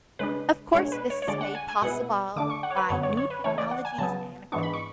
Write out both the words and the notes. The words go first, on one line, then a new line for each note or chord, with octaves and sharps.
Of course this is made possible by new technologies and equipment.
C#3 G#3 D4 B4
B2 G#3 D4 C#5
B4
C#5
C#5
D3 G#3 D4 D5
F#5
G#5
G#5
B2 G#3 B3 E4 F#5
D3 A3 D4 D6
C#6
F#5
C#5
B4
F#2 D3 F#3 B3 C#5
C#5
C#5
B4
C#3 E3 A3 C#5
D5
F#5
G#5
C#3 F#3 B3 A5
G#2 E3 G#3 B3 D4 C#6
B5
C#6